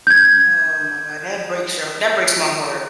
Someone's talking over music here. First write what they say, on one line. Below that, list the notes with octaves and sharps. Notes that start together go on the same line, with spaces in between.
Oh, my god, that breaks your that breaks my heart.
G6 G#6